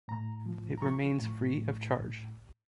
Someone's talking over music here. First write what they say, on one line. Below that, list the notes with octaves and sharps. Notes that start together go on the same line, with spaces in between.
It remains free of charge.
A2 A#5
F3
A#5
F3 C#6
A2
A2